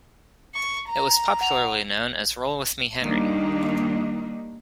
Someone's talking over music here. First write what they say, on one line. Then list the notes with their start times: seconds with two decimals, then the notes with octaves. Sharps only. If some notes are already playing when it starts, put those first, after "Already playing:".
It was popularly known as "Roll with Me Henry".
0.55 C#6
0.89 A#5
1.41 F#5 F7
3.04 D#3 G3 A#3 D4 D#4